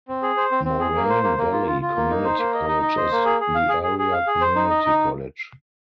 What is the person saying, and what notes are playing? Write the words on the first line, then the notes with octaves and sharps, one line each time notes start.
Moraine Valley Community College is the area community college.
C4
G#4
C5
C4
C4
G#4
A#3
C5
A#3
A#3
F4
F4
F4
A#3
D#4
C5
A#3
D#5
D#4
D#5
C5
A#3
G#4
G#4
F5
G#4
G#4
G#4
F5
G#4
C5
D#4
D#5
D#4